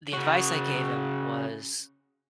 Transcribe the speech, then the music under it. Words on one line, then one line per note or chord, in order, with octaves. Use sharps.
the advice I gave him was,
C#3 F#4